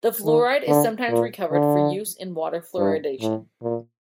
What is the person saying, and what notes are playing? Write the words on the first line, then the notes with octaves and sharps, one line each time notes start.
The fluoride is sometimes recovered for use in water fluoridation.
D#3
D3
A#2
D3
G2
A2
A#2